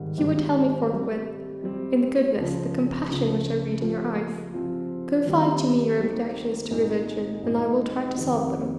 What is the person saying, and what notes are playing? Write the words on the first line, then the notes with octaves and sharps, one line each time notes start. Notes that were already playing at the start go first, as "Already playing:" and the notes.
You would tell me forthwith, in the goodness, the compassion, which I read in your eyes; Confide to me your objections to religion, and I will try to solve them.
Already playing: G#1 G#2 D#3 G3
G#1 G#2 D#3 G3
C3 G3 C4 G4
C3 G3 C4 G4
C#2 C#3 F3
C#2 C#3 F3
C3 F3 C4 F4
C3 F3 C4 F4
D#2 D#3 G3 C4 G4
D#2 D#3 G3 C4 G4
C2 A#2 G#3 D#4
C2 A#2 G#3 D#4
F2 C3 D#3